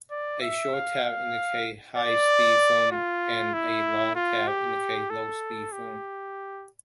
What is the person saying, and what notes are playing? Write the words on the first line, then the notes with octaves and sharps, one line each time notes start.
A short tab indicated high-speed film, and a long tab indicated low-speed film.
D5
E5
F5
F5
D5
F4
E4
F4
G4
A4
G4